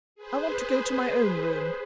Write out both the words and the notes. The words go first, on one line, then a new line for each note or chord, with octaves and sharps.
"I want to go to my own room."
G#4 B4 C5